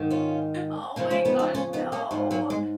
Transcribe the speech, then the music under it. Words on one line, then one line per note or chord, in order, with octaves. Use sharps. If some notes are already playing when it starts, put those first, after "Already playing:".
Oh, my gosh, no,
Already playing: G#2 D#3
C#4 F4
F2 C#3 F3 A#3 C#4
C#4 F4
B3 D#4
D#4 F#4
C#4 F4
B3 D#4
A#3 C#4
G#2 F3
F#3 A#3
G#3